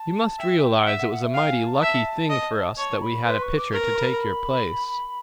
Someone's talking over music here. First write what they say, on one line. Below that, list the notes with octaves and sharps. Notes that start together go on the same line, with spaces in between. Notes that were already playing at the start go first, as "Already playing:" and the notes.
You must realize it was a mighty lucky thing for us that we had a pitcher to take your place.
Already playing: A5
E5 G5
G#5
G5
E5 F#5
F#5
F#5
E5
F5 G5
G#5
A5
E5
D#5
C#5 A5
B5
B4 C6
C#6
D6
A#4 C#6
B5